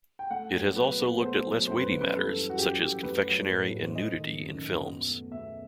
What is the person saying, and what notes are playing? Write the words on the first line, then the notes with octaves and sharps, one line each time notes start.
It has also looked at less-weighty matters such as confectionery and nudity in films.
G5
A3 F#5
F#3
B2 B4
B2
A3 C5
F#3
F#2 C5
B4
F#2
B4
G3 A4
E3
F#4
F#2 G4
F#2 G4
A3 B4
F#3
A2
A2
C5
A3 D#5
D#3
F#2
F#2
B2
A3
B2 E5